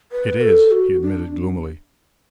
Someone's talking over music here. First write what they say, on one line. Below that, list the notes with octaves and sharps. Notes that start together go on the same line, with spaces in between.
"It is," he admitted gloomily.
B4
A4
F#4
D4